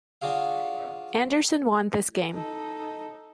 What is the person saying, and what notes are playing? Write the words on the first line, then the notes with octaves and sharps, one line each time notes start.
Anderssen won this game.
D4 F4 F#4 G#4 F5
D#4 A4